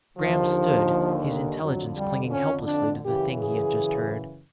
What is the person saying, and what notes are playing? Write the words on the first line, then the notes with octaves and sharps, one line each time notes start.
Graham stood, his intelligence clinging helplessly to the thing he had just heard.
D#2 D3 F3
F2 D3 F#3
G3
C#4
D4
F#2 C#3 E3 G4
G#4